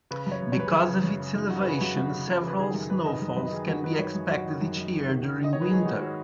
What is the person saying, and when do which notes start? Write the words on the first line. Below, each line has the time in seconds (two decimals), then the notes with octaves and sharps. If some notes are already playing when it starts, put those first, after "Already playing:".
Because of its elevation, several snowfalls can be expected each year during winter.
0.11 C#3 B4
0.26 F#2
0.31 C#5
0.42 F#2
0.52 C#5
0.57 F#2 B4
0.67 G#4
0.73 F#2 B4
0.88 C#3
1.03 F#2
1.20 C#3
1.34 F#2 D#4
1.50 C#3 F#4
1.60 B4
1.65 C#3 G#4
1.81 F#2 F#4
1.97 F#2 F#4
2.12 C#3
2.28 C#3
2.43 C#3 B4
2.59 D#3 G#4
2.74 F#2 G#4
2.90 D#3 B4
3.05 D#3 D#5
3.22 F#2
3.37 F#2 B4
3.53 D#3 G#4
3.67 F#2 F#4
3.83 D#3 B4
3.99 F#2 C#5
4.15 F#2
4.29 F#2 F#4
4.45 D#3
4.62 F#2
4.77 F#2
4.92 D#3
5.08 D#3
5.23 D#3
5.38 D#3
5.44 D#5
5.53 D#3 C#5
5.62 B4
5.70 G#2 G#4
5.85 D#3 F#4
6.01 F#4